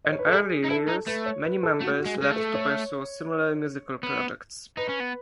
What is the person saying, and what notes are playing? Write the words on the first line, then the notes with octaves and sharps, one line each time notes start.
In early years, many members left to pursue similar musical projects.
D#5
C#5
B4
A4
E4 G#4
D#4
E4 A4
D#4
A3 B4
C#5
B4
A4
A3 F#4
F#4
G#3
G#3 G#4
A3
A4
C#5
B3
D#4 B4
C#4
B3